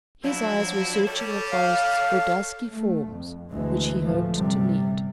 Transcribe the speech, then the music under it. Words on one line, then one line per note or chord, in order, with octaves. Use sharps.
His eyes were searching the forests for dusky forms, which he hoped to meet.
F3 F#3 C4 D4 E4
G3 A4 C#5 A5
F5
A3
F2
D2 E3 G#3
A2 F3 A3
G1 C3 G3